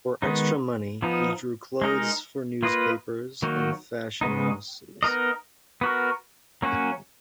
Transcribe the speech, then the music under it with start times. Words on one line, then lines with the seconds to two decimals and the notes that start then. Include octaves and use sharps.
For extra money, he drew clothes for newspapers and fashion houses.
0.22 D#3 G#3 B3 D#4
1.02 F3 B3 D#4
1.82 G#3 D#4 A#4 D#5
2.63 A#3 F4 B4 D#5
3.42 D#3 F#3 A#3 D#4 F#4
4.21 C#3 G#3 B3 D#4
5.03 B3 D#4 A#4 D#5
5.81 B3 F#4 A#4
6.62 F#3 A#3 C#4 F#4